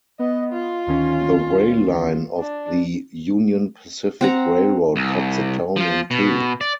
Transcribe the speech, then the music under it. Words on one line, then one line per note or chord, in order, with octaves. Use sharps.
The rail line of the Union Pacific Railroad cuts the town in two.
B3 D#5
F4
D2 D#3 C#4
D4
C4 F#5 A#5
C2
F3 F4
B2
D5